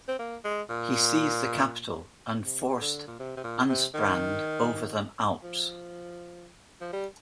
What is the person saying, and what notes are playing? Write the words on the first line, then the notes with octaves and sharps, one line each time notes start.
He seized the capital and forced Ansprand over the Alps.
C4
A#3
G#3
A#2
C3
D3
A#2
C3
C3
A#2
C3
D#3
F3
F3
G3